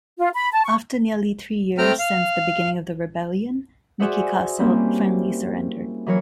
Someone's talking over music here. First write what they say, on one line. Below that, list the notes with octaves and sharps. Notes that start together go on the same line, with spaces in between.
After nearly three years since the beginning of the rebellion, Miki castle finally surrendered.
F4
B5
A5
C#6
A3 C4 G5 A#5 F6
F5
F#4 G#4 C5 D5 E5 F#5
G3 A#3 C4 C#4 E4
E3 F#3 A#4 C#5